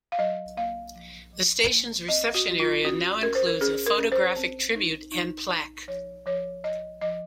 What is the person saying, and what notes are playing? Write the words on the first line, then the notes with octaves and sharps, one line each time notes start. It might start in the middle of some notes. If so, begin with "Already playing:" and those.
The station's reception area now includes a photographic tribute and plaque.
F5
F#3 D#5
A#3 F5
F3
F3
A#3
C4 D#5
F#4
F#3
F4
C#4 F#4
C#4 A#4
C5
A#4
C#4 G#4
A#4
C#4
C5
C4
D#4
D#4
D#4
F3 C#5
F3 C#5
F3 D#5
F3 D#5